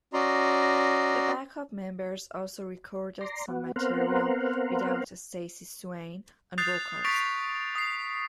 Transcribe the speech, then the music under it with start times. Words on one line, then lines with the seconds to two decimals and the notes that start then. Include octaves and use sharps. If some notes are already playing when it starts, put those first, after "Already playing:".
The backup members also recorded some material without Stacey Swain on vocals.
0.14 C#4 F#4 D5 D#5 A#5 C6
3.21 D5 A#5 C6
3.48 B3 F#4
3.76 B3 C4 A#4 C5 F5 F#5
6.58 D#6 F#6 G6 A6 C7 F7
7.04 C#6 D#6 A6 B6 D7 F7
7.75 D#6 C7